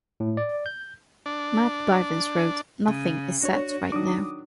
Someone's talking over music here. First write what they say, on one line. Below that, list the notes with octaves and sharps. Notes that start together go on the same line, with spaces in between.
Matt Bivins wrote, Nothing is set right now.
A2
D5
G6
D4
C#3
D4 F#4 C#5
D#3 F#3 D4 D6 D#6